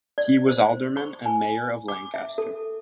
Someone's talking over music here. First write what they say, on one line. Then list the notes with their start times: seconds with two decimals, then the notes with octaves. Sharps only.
He was alderman and mayor of Lancaster.
0.18 D5
0.48 C5
0.97 C#6
1.26 G#5
1.88 D6
2.14 E5
2.38 A4